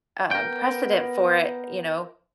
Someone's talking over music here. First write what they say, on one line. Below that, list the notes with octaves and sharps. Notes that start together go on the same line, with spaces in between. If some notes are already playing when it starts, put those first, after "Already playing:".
um, precedent for it, you know,
B3 A#4 G5